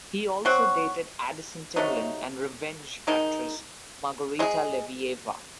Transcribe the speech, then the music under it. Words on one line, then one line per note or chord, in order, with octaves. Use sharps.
He also dated Addison Timlin and "Revenge" actress Margarita Levieva.
F#3 C4 F#4
C3 F#3 A3 D#4
D#3 G#3 D#4
G#3 D#4 G#4